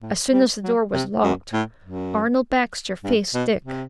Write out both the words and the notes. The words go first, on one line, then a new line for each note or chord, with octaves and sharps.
As soon as the door was locked Arnold Baxter faced Dick.
A2
G3
F#3
C3
F#2
A2
F#2
G2
B2
C3